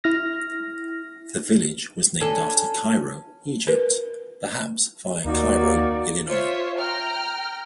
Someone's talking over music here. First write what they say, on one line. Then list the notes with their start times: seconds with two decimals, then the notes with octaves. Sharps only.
The village was named after Cairo, Egypt, perhaps via Cairo, Illinois.
0.04 E4 F6 A#6
2.20 C#4 D4 A4
3.67 A#4 B4
5.25 D#2 A#3 D#4 F#4 D5
6.26 F4 C5 C#5 E5
6.78 G5 A#5 F6